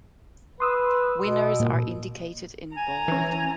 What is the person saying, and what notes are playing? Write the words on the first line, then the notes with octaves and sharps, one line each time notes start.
Winners are indicated in bold.
B4 C6 D#6 E6
B2
A#2 A#3
G#5 A#5
E3 C#4